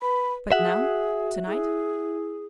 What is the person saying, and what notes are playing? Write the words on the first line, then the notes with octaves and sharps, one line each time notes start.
"But now--tonight?"
B4 B5
F#4 G#4 E5 F#5
E4 G#4